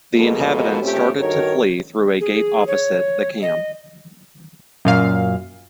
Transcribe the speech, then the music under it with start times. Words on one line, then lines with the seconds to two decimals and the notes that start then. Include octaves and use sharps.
The inhabitants started to flee through a gate opposite the camp.
0.16 F2 B2 G#3 A#3 A4
0.82 A#2 A3 C4 C#4 G4
1.18 G2 D#3 F#4 A4 A#4 C#5
2.21 G#4
2.67 C#5
3.42 D#5
4.85 F#2 A#2 F5